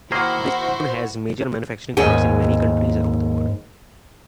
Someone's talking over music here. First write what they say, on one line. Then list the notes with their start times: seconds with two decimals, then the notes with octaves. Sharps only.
Bridgestone has major manufacturing plants in many countries around the world.
0.12 D#3 A#3 E4 F#4 G#4 C5
1.97 D#2 G#2 C#4 G#4 G5